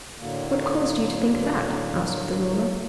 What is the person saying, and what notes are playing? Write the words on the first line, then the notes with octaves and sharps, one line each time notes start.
"What caused you to think that?" asked the Ruler.
A2 D3 F#3 A#3